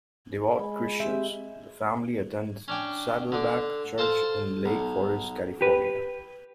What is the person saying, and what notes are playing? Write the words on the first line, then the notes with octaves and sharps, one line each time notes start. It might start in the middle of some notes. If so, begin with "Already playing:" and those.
Devout Christians, the family attends Saddleback Church in Lake Forest, California.
G#3 B5
C4 G4 E5
C#4 D4 G5
D3 D4
A4 C5 F5 A5
B1
G4 B4